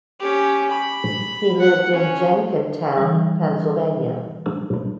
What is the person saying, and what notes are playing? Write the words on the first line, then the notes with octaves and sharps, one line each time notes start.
He lived in Jenkintown, Pennsylvania.
C#4 G4
B5
F#5
C#4
E3 G3